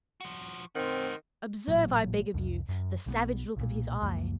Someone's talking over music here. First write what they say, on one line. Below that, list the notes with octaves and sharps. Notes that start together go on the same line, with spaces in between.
Observe, I beg of you, the savage look of his eye.
F3 F#4
D#3 C4 C5 F#5
A1 A#2 F#3
C2 F2
F#2
B1 G3 B3
B1 A#2
C#2 F#2 F3 A#3